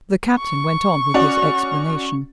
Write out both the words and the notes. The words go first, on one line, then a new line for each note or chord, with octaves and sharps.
The Captain went on with his explanation.
C#6
C#4 F#4 D5